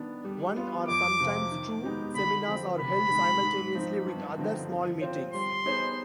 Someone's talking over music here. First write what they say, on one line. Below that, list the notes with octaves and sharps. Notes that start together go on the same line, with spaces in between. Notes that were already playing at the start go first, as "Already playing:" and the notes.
One or sometimes two seminars are held simultaneously with other small meetings.
Already playing: D#3 B3 D4
G3
B3 F4
F2 D6
C3 F3 C4 F4
D#3
G#3 B3 D#4 G4
D3 B5
F3 C4
C3 B5
D#3 G#3 C4
G#2
F3 C4 D#4
G2
D3 F3 C4 D#4
F3
C4 F4 C5
G3 C6
B3 D#4 G#4 C5